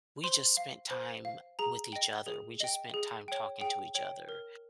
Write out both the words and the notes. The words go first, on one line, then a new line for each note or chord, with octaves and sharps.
we just spent time with each other? We just spent time talking to each other,
C5 C6
F5
C5
F5
G#4 A#5
D#5 G5
G#4
D#5 G5
G#4
C#5 G5
G#4 G5
C#5 G5
A#4